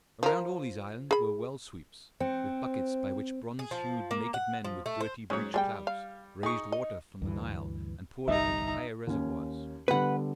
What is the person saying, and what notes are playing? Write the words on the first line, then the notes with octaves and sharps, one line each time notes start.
Around all these islands were well-sweeps, with buckets by which bronze-hued naked men with dirty breech clouts raised water from the Nile and poured it into higher reservoirs.
F3 A#4
G#4 B5
C4 C5 G5
G#4
F3
A#3
F#5
F3
A3
C5
G#2 F#3 C#4 C#5
G3 G#4 D#5 G5
F5
D#4 G#4 C#6
D#5
D2 G2 E3
G1 C2 G3 D#4 D#5 E5 A#5
D#2 C#4
D3 G3 B3 B4 F#5